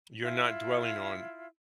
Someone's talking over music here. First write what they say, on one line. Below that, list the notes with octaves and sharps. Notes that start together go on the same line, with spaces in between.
you're not dwelling on
E4 F4